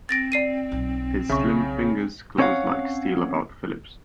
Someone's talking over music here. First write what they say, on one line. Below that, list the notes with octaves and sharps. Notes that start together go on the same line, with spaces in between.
His slim fingers closed like steel about Philip's.
C4 A6 A#6 D7
D5 C7 D#7
B1
B1 C#3 E5 C#6
C4 C#4 C#5 D5 F5 F#5